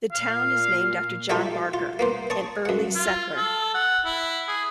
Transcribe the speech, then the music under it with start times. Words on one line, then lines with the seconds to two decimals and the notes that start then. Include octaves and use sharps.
The town is named after John Barker, an early settler.
0.13 A#2 F5
1.29 D#4 F4 G4 A4 C#5 E5
1.74 F4
1.99 A#3 B3 C5
2.30 C#5 A5 C#6 D#6
2.65 F#2 F#5
2.95 F4
3.37 A4
3.74 F#5
4.05 E4
4.48 G#4